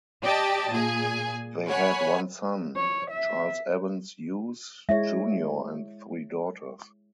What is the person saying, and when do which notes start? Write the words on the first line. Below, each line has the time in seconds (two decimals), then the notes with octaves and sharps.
They had one son, Charles Evans Hughes Junior and three daughters.
0.23 G4 D5 D#5 G5 A5
0.71 A#2 G#4 G#5
1.68 C#5 F#5 G#5 B5
2.76 C#5
3.10 E5
4.89 G#3 E4 C#5 E5